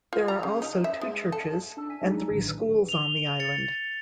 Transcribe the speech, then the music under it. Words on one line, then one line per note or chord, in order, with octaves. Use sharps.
There are also two churches and three schools on the island.
F4
A#5
C#3
D#4
E5
G#3
A4
D4 A5 E6
G#5 B6 D#7
F#3 G#3 A3 D4 D#4 G#4
A#5
A1 A2 D3 D#3
B4
F7 G7
A6 C#7